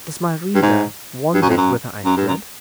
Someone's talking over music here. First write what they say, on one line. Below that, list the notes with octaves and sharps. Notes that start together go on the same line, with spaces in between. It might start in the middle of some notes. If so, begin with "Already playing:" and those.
Does my reader wonder whither I fled?
G2
G#2
G2
F#2
F2
F#2
F#2
G2
F#2